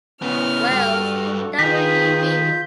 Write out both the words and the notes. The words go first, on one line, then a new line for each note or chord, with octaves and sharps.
Wells, W. E. B.
C#3 B3 E4 C#5 F6
G2 F#4 A4
D#3 F4 G#4 B4 G6 B6